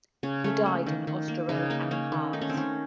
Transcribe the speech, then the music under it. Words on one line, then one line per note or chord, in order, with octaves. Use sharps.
He died in Osterode am Harz.
C#3 C#4
A3 C#4
A#3
D#3
D#3
A#3
C#3 D#4
A#3 D#4
A#3 C#4
D#3
A3 D#4
C#4
C4
D#3 C#4